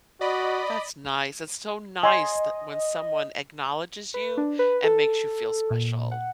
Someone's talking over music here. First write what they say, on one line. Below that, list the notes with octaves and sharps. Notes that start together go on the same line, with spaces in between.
That's nice, it's so nice that when someone acknowledges you and makes you feel special.
F#4 D5 D#5 B5
D#5 G#5 C6
B4
D4
B4
A4
A#2
F#5